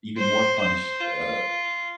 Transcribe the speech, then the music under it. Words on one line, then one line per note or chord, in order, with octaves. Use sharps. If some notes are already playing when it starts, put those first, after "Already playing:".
even more punished, uh,
C5
C5
F4